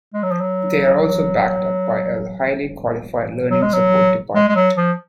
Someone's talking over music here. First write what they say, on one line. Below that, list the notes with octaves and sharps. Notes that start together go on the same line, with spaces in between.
They are also backed up by a highly qualified learning support department.
G#3
F#3
F3
F#3
F#3
G#3
F#3
G#3
G#3
F#3
F3